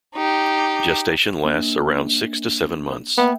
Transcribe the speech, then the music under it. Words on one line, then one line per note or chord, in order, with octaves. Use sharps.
Gestation lasts around six to seven months.
D#4 G4
A#3 D4
A#3 B3 E5 G5